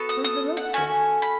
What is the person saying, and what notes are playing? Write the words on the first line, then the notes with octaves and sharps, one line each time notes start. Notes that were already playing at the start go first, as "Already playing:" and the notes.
"What is the rope for?"
Already playing: B3 F#4 A4
D#6
D#6
F#5
A3 C#4 F#4 A4 G#5
B5